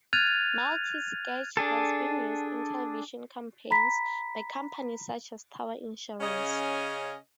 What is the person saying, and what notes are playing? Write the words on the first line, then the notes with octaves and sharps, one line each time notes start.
Multi-sketch has been used in television campaigns by companies such as Tower Insurance.
F6 F#6 G#6 A6 D#7 F7
D4 G#4 A4
A#5 B5 B6
C#3 C#4 D#5 F5 G#5